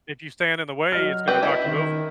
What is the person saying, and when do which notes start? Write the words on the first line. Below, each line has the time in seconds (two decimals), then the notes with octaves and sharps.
if you stand in the way, it's gonna knock you over.
0.92 F#3 D#5 F6
1.28 C4 B4 G5
1.43 E4 D#5 E5
1.66 D#3